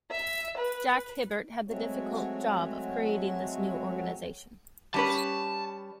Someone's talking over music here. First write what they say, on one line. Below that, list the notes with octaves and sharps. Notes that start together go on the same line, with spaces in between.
Jack Hibbert had the difficult job of creating this new organisation.
E5
B4
F#3 G#3 A3 C4 F#4 C#5
G3 C#4 B4 A5